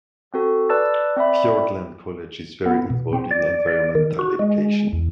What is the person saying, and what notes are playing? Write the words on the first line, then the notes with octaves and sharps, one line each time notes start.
Fiordland College is very involved in environmental education.
C4 F#4 A4
B4 D5 A5 E6 A6
C4 D5 E5 B5
B3
B2
C4
D5
D5
D#3
F#4
G#3
E2